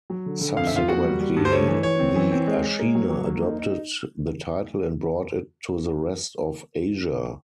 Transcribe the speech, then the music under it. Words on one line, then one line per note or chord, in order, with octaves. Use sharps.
Subsequently the Ashina adopted the title and brought it to the rest of Asia.
F#3
D3
D3
F2 F5
E5
F2 F4 F5
A#3 F#4 F#5
G3
G3
G2
C5
A3 C#5
E3
E3 C#5
C4
E3
C4
G#3
G#3
A#3
F#3
F#3
A#3
D#4
D#4